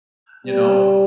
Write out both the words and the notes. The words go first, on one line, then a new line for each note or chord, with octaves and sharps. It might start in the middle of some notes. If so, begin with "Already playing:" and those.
you know,
G3